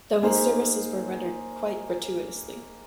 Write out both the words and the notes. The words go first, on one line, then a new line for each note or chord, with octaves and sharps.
Though his services were rendered quite gratuitously.
A#3 D#4 G#4 C5